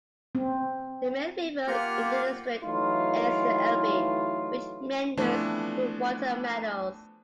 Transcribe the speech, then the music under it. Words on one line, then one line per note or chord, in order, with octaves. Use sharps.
The main river in the district is the Elbe, which meanders through water meadows.
C4
A#3 F4 G4 F#5 F6
E3 F#3 A3 D#4 F4
E3 F3 A3 B3 C4 D4